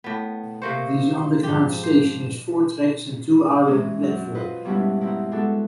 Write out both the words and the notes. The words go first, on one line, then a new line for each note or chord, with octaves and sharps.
This underground station has four tracks and two island platforms.
A2 B3
C3 A#3 C5 C#6
C6
G#2 F3 G4
C5
E3 G#3 C4 C#4 D#4
F#2
F4 B4 C5 D#5
G2 B2 G3 G#3 C#4 E4
B2 C4 D#4 E4
G#3 B3 D4 F#4 A4